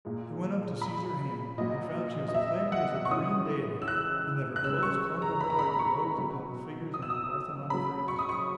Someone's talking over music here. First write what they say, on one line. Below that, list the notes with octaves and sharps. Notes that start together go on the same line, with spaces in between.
He went up to seize her hand, and found she was clammy as a marine deity, and that her clothes clung to her like the robes upon the figures in the Parthenon frieze.
A#2 G#3
B5
A#2 F#3 D#5
D#5
E5
F#5
C#6
C#3 E3 G#3 D#6
E6
F#6
F#6
C#3 G#3 E6
C#6
A#5
B5
A#5
B5
C#6
B2 F#3
D#6
E6
D#6
C#3 F#3 B5
C#6
D#6
C#6